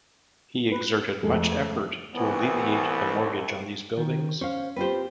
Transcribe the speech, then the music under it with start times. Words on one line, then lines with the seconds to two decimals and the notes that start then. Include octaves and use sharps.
He exerted much effort to alleviate the mortgage on these buildings.
0.72 B4
1.23 F2 G#3 A3 G#4 A4
2.14 C2 E3 B3
3.97 D#3
4.41 C#4 C5 F5
4.76 C4 F4 G4 B4 C5